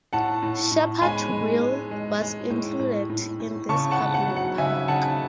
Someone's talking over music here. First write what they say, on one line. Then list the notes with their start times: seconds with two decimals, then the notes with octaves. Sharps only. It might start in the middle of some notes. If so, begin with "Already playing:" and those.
Shepherd Wheel was included in this public park.
0.13 A2 F#5 A5
0.43 A2
0.71 A2
1.02 G#3 G#5 B5
1.31 G#3
1.61 G#3
1.91 G#3
2.21 G#3
2.50 A2
2.79 A2
3.10 A2
3.40 A2
3.69 C#3 A5 C#6
3.91 F#5 A5
3.98 C#3
4.14 F#5
4.28 F#3
4.36 F#5
4.58 C#3 E5 G#5
4.88 C#3 F#5 A5